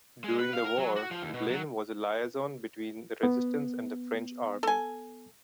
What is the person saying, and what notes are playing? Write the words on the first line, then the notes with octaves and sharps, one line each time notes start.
During the war, Blin was a liaison between the Resistance and the French Army.
G#3
B4
F5
A#4
F#3
F#4
F3
D#2
B2
F#3
B3
A4 G#5